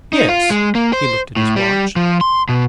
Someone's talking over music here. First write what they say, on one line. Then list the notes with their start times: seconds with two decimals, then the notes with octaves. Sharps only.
"Yes!" He looked at his watch.
0.13 D#4
0.29 F4
0.50 G#3
0.75 A#3
0.93 C5
1.37 A2
1.56 G3
1.96 F3
2.21 C6
2.49 B2